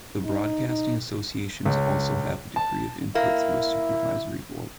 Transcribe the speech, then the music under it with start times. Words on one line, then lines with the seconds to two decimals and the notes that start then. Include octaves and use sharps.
The broadcasting associations also have a degree of input through a Supervisory Board.
0.25 D#4
0.68 D#4
1.65 C#2
2.56 A5
3.15 A#3 E4